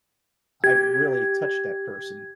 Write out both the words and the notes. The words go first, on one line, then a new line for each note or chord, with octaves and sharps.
I've really touched that person.
G4 G#6